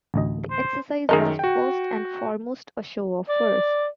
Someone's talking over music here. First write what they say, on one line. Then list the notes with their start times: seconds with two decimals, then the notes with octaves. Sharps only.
The exercise was first and foremost a show of force.
0.14 A1 D2 D#5
0.50 C5
1.09 F#2 D#3 G#4 A#4 D#5
1.39 F#4 G5
3.29 D5